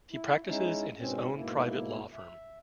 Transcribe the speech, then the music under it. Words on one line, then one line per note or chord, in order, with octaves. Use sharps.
He practices in his own private law firm.
E4
G#3 C#4 D#4 E4
G#2 B2 C4 C#4
G#2 B2 A#3 E4
E5